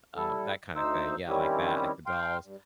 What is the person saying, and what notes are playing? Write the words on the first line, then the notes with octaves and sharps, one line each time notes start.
uh, that kinda thing. Yeah, like, that, like, the dolls,
G3 E4 A4
D2 D#4 C5 E6
D#3 G3 C4 C#4 E4 G4
F5 G5 C6
G2